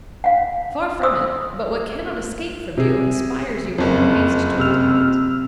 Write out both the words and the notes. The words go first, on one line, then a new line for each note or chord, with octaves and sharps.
Far from it; but what cannot escape from you inspires you with no haste to obtain it.
F5 F#5
C5 C6 D#6 E6
C3 G#4
F#1 F2 C5
C3 E6 F6